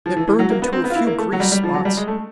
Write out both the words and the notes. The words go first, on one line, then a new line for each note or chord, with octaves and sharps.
It burned him to a few grease spots.
F3
E3
E3
F#3
A#3
B3
C4
B3
F4
E4
A#3
A3
F#3
G3
G3
F3
F#3
G3
G#3
A3